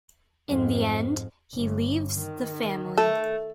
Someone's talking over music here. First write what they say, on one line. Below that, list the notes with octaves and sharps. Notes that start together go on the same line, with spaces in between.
In the end he leaves the family.
F2 G#2
G1
D#3
A3 A4